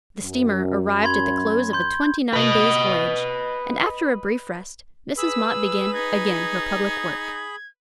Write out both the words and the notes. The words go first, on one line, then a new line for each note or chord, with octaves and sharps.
The steamer arrived at the close of a twenty-nine days' voyage, and, after a brief rest, Mrs. Mott began again her public work.
F#2
B5 C6 G#6
C6 G6
B4 D#5
G#4 B4 B5 E6
D#4 G#6